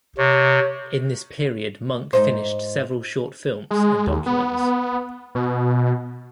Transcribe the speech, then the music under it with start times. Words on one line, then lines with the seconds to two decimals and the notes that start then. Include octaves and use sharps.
In this period Munk finished several short films and documents.
0.18 C3 C#5
2.13 G#2 D#4 C5
3.71 G#3
4.07 D#2
4.26 B3
5.35 B2